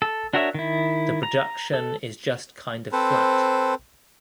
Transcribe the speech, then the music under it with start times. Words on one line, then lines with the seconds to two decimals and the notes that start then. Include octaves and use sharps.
The production is just kind of flat.
0.02 A4
0.33 D4 F#4 A#4 C#5 E5
0.54 D#3 E4
1.23 A#5
1.73 A4
2.92 C4 A4 B4 C5